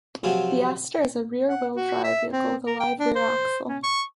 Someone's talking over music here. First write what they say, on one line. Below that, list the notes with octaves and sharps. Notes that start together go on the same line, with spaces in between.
The Astre is a rear wheel drive vehicle with a live rear axle.
C3 F3 F#3 C4 F4 G#4
F#5
F#4
E5
C4
A#4
G5
D4
C5
C#4
C#6